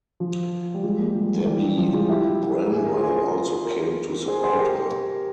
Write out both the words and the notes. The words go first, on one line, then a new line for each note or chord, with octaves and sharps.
Debbie Bramwell also came to support her.
F3
G3
F3 G#3
G3 A#3
F3 G#3
E3 G3
F3
F3 G#3
E4 G4
G#4
A#4
F4 G#4
G4 A#4
G#4 C5
G#4 C5
G4 A#4